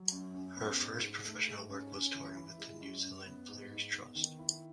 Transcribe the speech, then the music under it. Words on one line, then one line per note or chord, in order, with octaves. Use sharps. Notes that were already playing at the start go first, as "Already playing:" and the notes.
Her first professional work was touring with the New Zealand Players Trust.
Already playing: F#3
F#2
C#4
B3
G#2
G#2
A3
G#2
C#4
C#4
E3
E4
G#3
F#2
F#2
B3
G#2
D#4
B3
D#3
E4